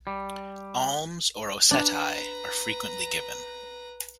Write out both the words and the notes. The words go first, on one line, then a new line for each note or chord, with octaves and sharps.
Alms or "osettai" are frequently given.
G3
D4 B4 A#5